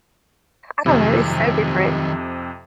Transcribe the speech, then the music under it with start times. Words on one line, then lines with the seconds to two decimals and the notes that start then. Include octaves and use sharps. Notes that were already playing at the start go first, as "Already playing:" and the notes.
I don't know, it's so different
0.86 F2 C3 D#3 F#3